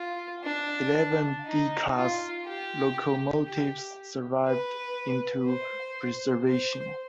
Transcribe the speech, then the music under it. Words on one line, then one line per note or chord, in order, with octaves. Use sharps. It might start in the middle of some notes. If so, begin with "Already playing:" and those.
Eleven D class locomotives survived into preservation.
Already playing: F4
D4
D#4
F4
G4
G4
B4
C5
C5